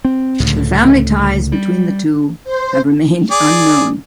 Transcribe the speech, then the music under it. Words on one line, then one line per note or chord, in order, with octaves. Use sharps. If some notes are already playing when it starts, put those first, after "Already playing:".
The family ties between the two have remained unknown.
C4
C#2 A2 D3
G3
C5
G#4 D5